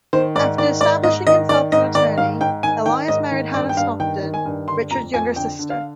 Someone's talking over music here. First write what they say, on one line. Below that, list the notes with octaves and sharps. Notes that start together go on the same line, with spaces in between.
After establishing himself as an attorney, Elias married Hannah Stockton, Richard's younger sister.
D#3 C5
G#2 D5
D#3 D5
G#2 D5
G#2 D#5
D#3 D#5
D#3 D5
G#2 D#5
D#3 D5
G#2 F5
G#2 G5
D#3 G#5
D#3 G5
G#2 D#5
D#3
G2 D5
G5
G2 F5
D#3 G5
D#3
G#5
G2
D3 C6
F2 A#5
F2 G#5
D3 G5
D3
F5